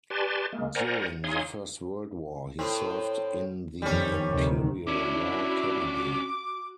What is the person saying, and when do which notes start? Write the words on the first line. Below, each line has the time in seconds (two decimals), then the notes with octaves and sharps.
During the First World War, he served in the Imperial War Cabinet.
0.10 G4 B4 D5 G#5 A5 C6
0.53 G#3 A#3
0.75 A#4 C5 D5 F#5 G#5 A#5
1.24 D#4 C#5 F5 G#5 C6 D#6
2.59 A2 C4
3.82 F2 D#3 G3 C#4
4.28 D2 C3 D#3
4.87 C#4 D4 E4 F#4 D6